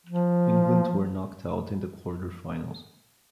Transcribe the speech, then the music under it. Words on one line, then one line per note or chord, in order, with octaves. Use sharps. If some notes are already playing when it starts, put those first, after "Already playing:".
England were knocked out in the quarter-finals.
F3